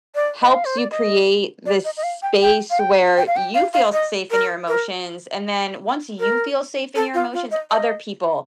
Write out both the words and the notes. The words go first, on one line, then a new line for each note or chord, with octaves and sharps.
helps you create this space where you feel safe in your emotions, and then once you feel safe in your emotions, other people
D5
D#5
F5
C5
D5
D#5
D5
D#5
D#5
F5
G5
G5
F5
G5
G5
F5
G5
F5
F5
D#5
A#4
A#4
A#4
A4
F4
F4
D#5
D#5